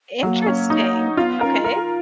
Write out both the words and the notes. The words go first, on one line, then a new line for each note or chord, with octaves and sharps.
Interesting, okay.
F#3 A#3
C#4
D#4
B3 C#4 F4
C#4 A#4
F4 A#4